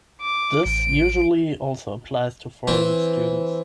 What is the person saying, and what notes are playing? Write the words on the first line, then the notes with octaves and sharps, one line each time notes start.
This usually also applies to foreign students.
D6
A1 D7
E3 C4